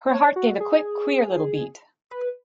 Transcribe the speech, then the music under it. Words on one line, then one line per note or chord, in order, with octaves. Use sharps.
Her heart gave a quick, queer little beat.
C#5
F#4
G#4
B4